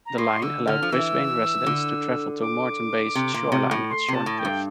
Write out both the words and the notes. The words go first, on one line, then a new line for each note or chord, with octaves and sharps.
The line allowed Brisbane residents to travel to Moreton Bay's shoreline at Shorncliffe.
A#5
A2 C6
D3 E6
D3 F6
F3
E3 E6
D3
D6
C3
A#2
C3
A2
C6
C3
A5
A2
G5
G2